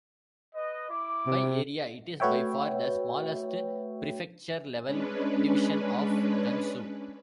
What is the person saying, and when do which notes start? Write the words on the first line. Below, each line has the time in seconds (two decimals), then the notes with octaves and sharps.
By area, it is by far the smallest prefecture-level division of Gansu.
0.55 B4 D#5
0.90 E4 D6
1.26 C3
2.20 A3 F#4 B4 C#5 E5 G5
4.85 G#3 C#4 D4 B4